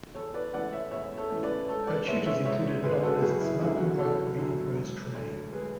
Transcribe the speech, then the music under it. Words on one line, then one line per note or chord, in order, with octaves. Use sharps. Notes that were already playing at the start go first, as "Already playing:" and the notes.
Her tutors included novelists Malcolm Bradbury and Rose Tremain.
E2 A4 C#5
B4 D5
C#3 E3 A3 D5 F#5
C#5 E5
E2 C#5 E5
A4 C#5
C#3 E3 A3
B4 D5
G#1 A4 C#5
B4 D5
G#2 G#3 B3 C#5 E5
C#5 E5
G#1 C#5 E5
G#2 G#3 B3 G#4 B4
F#4 A4
F#1 G#4 B4
E4 G#4
E2 D3 F#3 E4 G#4
F#4
F#1 A4 C#5
E2 D3 F#3
E1
D2 D3
E1 G#4 B4